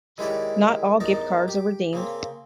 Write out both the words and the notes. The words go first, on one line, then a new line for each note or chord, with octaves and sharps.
Not all gift cards are redeemed.
D#3 G#3 E4 G4 C#5 D5
A1 E2 D#4 A#4 A5
G4
C#3 A#3 C4